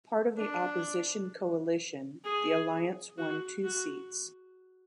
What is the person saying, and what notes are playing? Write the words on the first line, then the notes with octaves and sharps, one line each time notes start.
Part of the opposition coalition, the Alliance won two seats.
D4
G#4
F#4
F#4